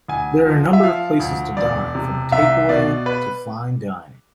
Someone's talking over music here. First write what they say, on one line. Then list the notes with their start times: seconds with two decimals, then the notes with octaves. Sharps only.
There are a number of places to dine, from Takeaway to fine dining.
0.08 D2 G#5
0.46 F3
0.73 E5
0.83 F3 F5
1.20 D2
1.57 E1 D5
1.95 C3
2.32 C2 E5
2.69 B2 D5
3.06 B4